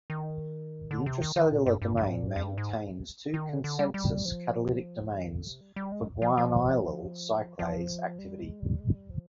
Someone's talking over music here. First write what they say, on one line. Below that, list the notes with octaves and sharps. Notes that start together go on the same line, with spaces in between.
The intracellular domain maintains two consensus catalytic domains for guanylyl cyclase activity.
D#3
D3
C3
D#3
D#3
A#2
G2
G2
G2
A#2
G#2
F2
G2
G#2
D#3
D3
D3
G3
G3
F3
D#3
D3
C3
G3
G3
G#3
F3
F3
F3
G3
G#3
G3
G#3
G3
F3